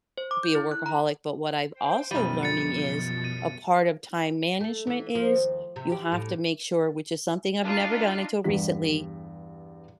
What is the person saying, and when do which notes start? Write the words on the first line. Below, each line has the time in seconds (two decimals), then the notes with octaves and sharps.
be a workaholic, but what I've also learning is a part of time management is you have to make sure, which is something I've never done until recently,
0.18 C5
0.31 D6
0.43 G6
0.55 E4
0.71 F#6
0.86 A#5
1.73 C5 G5
2.11 F#2 B2 F3 G3 D#7
2.43 A6 C#7
3.24 A6 D#7
4.60 A3
4.87 E3
5.15 F3
5.35 D#2
5.76 C3
5.92 G4
6.12 A2
7.64 D4 D#4 F4
8.44 E2 G2 G3 B6